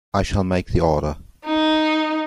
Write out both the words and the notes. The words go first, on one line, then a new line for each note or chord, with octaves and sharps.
I shall make the order.
D#4